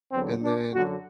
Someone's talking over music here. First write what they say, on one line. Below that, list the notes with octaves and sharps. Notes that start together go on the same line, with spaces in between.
and then
E2 D3 F#3 B3 C4
D4
F#2 D3 F#3 F#4